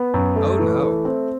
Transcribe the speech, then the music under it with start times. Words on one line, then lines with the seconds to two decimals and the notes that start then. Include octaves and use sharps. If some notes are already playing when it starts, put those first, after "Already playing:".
"Oh, no!"
Already playing: B3
0.14 F#2
0.36 A3
0.59 E3
0.82 A3
1.05 C4